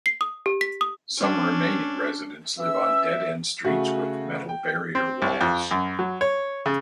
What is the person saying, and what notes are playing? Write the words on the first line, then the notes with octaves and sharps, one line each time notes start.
Some remaining residents live on dead end streets with metal barrier walls.
C7
D#6
G4
B6
D#6
C#4 D4
E3 C#4 E5 E6
C#3 A3 F#4
G5
C4
C2
F2
F#2
F#3
C#5
C#3